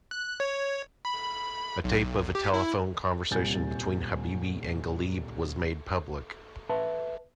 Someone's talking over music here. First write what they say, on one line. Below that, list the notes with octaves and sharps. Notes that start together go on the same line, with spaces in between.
A tape of a telephone conversation between Habibie and Ghalib was made public.
F#6
C#5
B5
B1
G4
E4
D#1 C2 G#5 G6 A6
B4 E5 A5